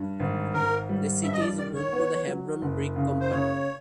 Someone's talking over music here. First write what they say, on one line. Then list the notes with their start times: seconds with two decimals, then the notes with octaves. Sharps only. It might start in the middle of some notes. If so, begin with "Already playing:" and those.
The city is home to the Hebron Brick Company.
Already playing: G2
0.20 G#1
0.54 G#1 A#4
0.89 G3
1.23 G2 E5
1.32 D#5
1.40 D5
1.58 D#3 D5
1.75 C#5
1.92 B3
2.27 F#3
2.62 F#1
2.96 C#3
3.20 C5
3.31 C#3 C#5